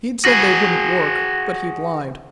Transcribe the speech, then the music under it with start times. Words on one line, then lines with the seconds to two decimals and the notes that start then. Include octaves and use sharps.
He'd said they wouldn't work, but he'd lied.
0.25 F#4 G#4